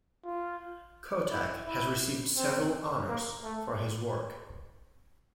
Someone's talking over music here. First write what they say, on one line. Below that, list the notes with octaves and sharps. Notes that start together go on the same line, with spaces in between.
Kottak has received several honors for his work.
F4
E4
E4
C4
A#3
A3